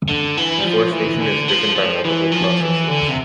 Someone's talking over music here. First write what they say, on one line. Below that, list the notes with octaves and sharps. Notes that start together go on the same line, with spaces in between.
Deforestation is driven by multiple processes.
D3
E3
G3
F3
E3
D3
F3
F3
E3
F3
E3
D3
C3